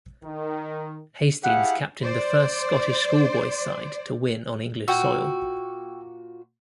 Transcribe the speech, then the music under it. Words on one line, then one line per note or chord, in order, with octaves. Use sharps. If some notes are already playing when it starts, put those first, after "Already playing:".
Hastings captained the first Scottish schoolboys' side to win on English soil.
D#3
E4 G4 G#4 F5 F#5
C5 D5
A#2 F#4 G5 C#6 E6